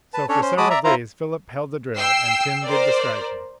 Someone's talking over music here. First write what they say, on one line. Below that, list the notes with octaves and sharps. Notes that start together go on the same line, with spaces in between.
So for several days Philip held the drill and Tim did the striking.
B4 A5
C#4 D4 A4 C#5
C#4 C5
G#3 F#4 A5 B5 D6 D#6
D5 E5 A#5
E4 F4 C5 A#5
G5 E6 C7
A#4 C5 D5